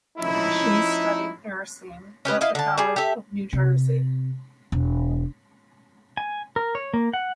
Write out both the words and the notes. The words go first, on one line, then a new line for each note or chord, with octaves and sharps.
She studied nursing at The College of New Jersey.
F3 A3 C#4 D#4 E4
C#4 G4 B4 D#5
E4 D#5 F5
D3 A5
G3 G#4
G4 A4 E5
C3
E1
G#5
A#4
C#5
A#3
F#5